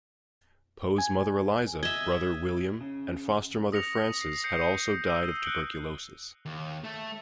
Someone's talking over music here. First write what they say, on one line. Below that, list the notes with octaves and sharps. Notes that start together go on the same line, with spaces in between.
Poe's mother Eliza, brother William, and foster mother Frances had also died of tuberculosis.
G#5
D#5 E5 G#6
C#3
D#6 A#6 C#7 F7
C7
G6 C7 C#7
G6 C#7 D#7
D#6 E6 D#7
F#6 C#7 D7 F#7 G7
D#2
A3